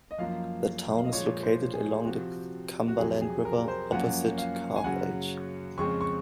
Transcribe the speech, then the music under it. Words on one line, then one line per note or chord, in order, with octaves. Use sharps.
The town is located along the Cumberland River opposite Carthage.
D#5
F#2 F3 A#3 F5
F5
D#5
A#2 F3 G#3 C#5
C5
G#4
C3 F3 C4 F#4
F#4
F2 C3 F#3 G#4
G#4
A#4
C5
F#2 F3 A#3 C#4 F#5
F5
G#5
F#2 C#3 F#3 F#5
F2 C#3 G#3 C4 C#6
C#6